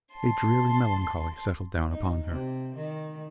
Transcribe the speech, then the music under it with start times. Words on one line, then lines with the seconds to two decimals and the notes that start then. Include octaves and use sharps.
A dreary, melancholy settled down upon her.
0.14 A5 C6
1.91 D#4
2.28 C3
2.76 D#3